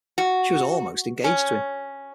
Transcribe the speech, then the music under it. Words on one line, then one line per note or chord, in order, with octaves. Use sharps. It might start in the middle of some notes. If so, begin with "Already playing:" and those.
She was almost engaged to him.
F#4
C#4